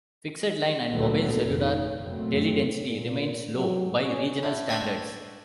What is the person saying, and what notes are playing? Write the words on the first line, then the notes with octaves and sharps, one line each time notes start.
Fixed-line and mobile-cellular teledensity remains low by regional standards.
D2 A#2 D3 F#3 A3 B3
F1 D#3
F#2 A#2 F#3 A3 C4
A#2
F#3
C#4
A2
D4 C5 C#5 E5